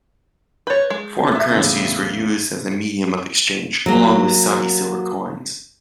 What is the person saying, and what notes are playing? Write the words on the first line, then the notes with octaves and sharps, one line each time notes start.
Foreign currencies were used as a medium of exchange, along with Saudi silver coins.
B4 C#5 G6 A6
G#3
C3 E5
E2 A2 C#3
F#3 A#3